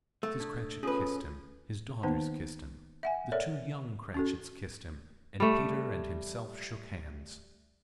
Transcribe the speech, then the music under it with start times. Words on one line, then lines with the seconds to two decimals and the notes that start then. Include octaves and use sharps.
Mrs. Cratchit kissed him, his daughters kissed him, the two young Cratchits kissed him, and Peter and himself shook hands.
0.23 A3
0.40 D4
0.83 C#4 F4 G#4 A4 B4
2.03 D#3 A#3 B3 D#4 C5 A5
3.03 E5 F#5 G#5
3.32 A4 A#4 C#5 D5 E5
4.14 C#4 F#4 A4
5.40 G3 A3